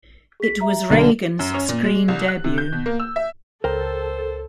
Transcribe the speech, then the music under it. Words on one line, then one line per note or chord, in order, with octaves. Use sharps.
It was Reagan's screen debut.
G#4 B6
E5 A#5
B1 D3 A#3
F#2
C#4
A#2
G#3
C2
F#6
C3
G6
B2
A#3
E6
E5
C#2 A4 A#4 C5 G5